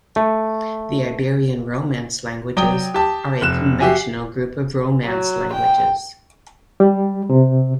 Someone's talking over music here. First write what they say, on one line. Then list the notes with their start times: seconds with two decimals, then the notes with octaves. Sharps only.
The Iberian Romance languages are a conventional group of Romance languages.
0.16 A3
2.57 F#3 D5 G5 D#6 G7
2.94 G4 A5
3.41 F1 F#6 E7
3.80 F#4 G4 E5 G#5
5.05 F#3
5.53 G5
6.80 G3
7.30 C3